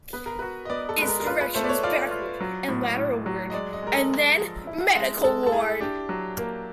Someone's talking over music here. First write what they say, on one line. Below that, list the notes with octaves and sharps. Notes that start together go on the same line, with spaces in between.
Its direction is backward and lateralward, and then medial ward.
B3 B4
A#4
F#4 B4
D#5
B3 D5
A4
G#3 B4
A#4
A#4
F4 B4
B4
A3 C5
D5
C#5
F4 D5
F4
F#3
A2
A2
F#3
D#5
G#3 D5
D#5
G#3 A#4
A4
G#3
F3
E4
G#3
G#3 A4
A4
E4 G#4
D4 G4
F#3
A#3